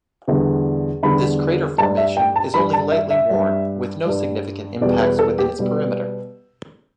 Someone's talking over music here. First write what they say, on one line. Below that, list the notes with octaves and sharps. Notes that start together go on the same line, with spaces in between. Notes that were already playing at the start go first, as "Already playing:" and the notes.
This crater formation is only lightly worn, with no significant impacts within its perimeter.
E2 D3 G3
E2 D3 G3 B5
G2 G3 A5
E5
G5
A5
G2 G3 B5
A5
E5
E5
G2 G3
G2 G3
E2 B2 G3 D5
B4
A4
G4
B2 G3